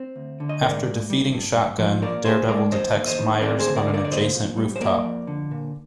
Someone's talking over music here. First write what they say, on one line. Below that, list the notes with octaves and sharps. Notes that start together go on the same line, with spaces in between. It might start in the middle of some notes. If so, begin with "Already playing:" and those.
After defeating Shotgun, Daredevil detects Myers on an adjacent rooftop.
Already playing: C4
D2
D3
D#5
G#2 A#4 D5
G#2
G3
G2
G2
F3
A#2 A#4 D5
A#2 G#4 C5
G#3 A#4 D5
D#2 C5 D#5
D#2
C5 D#5
D#3
C4 A#4 D5
G#4 C5
D2
A#4 D5
D3
A#4 D5
D5
A#2 C5 D#5
A#2
G3
C5
A#3 A#4 D5
F2
D3
A#2